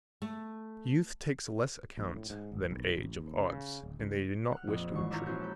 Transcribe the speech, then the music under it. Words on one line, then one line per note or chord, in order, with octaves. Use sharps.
Youth takes less account than age of odds, and they did not wish to retreat.
A3
A#1
A2
G#2
G#1
B1
A1
D#2
C#3
D1
C#2
F#5 F6
A#1 F2
G#1 E3 C#6
D4 E4 F4 C#5 A#5
A#1 C#4 F4 F#4 G6
A5 B5 G6